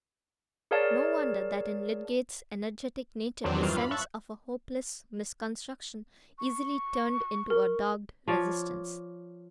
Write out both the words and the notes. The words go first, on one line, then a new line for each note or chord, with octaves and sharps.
No wonder that in Lydgate's energetic nature the sense of a hopeless misconstruction easily turned into a dogged resistance.
G#4 A#4 C#5 D5 F5 A5
E2 D#3 F#3 C4 D4
G2 E3 F4 F5 C7
B5
E5 A5 C#6 E6 F#6 A6
C#6
A#4
F3 C#5 D5